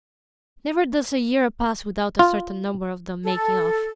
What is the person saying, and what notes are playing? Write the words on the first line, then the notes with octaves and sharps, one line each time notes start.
Never does a year pass without a certain number of them making off.
F4
A4